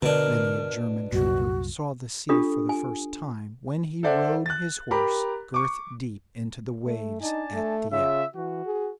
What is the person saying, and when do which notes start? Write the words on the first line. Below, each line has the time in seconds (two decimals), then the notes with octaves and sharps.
Many a German trooper saw the sea for the first time when he rode his horse girth-deep into the waves at Dieppe.
0.03 B2 D3 D4 A#4
1.12 C2 F#2 A#2 F#4
2.29 D4 F4 G4 A4 D#6
2.69 G#5
4.03 A4 C5 D5 E5 F#5
4.46 F#6 A6
4.91 G4 A#4 A#5 B5
5.54 C#6 D6
6.86 A3
7.21 D4 D#4 G#5 A5
7.54 A3
7.92 C#3 F4 E5
8.35 E3 F#4
8.66 G#4